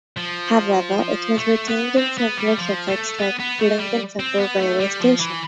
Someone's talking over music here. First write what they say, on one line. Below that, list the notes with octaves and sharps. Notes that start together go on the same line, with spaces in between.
However, it has retained its "Central" suffix, like Lincoln Central railway station.
F3
A3
B3
C4
B3
G3
F3
A3
B3
B3
A3
G3
C4
B3
A3
G3
F3
E3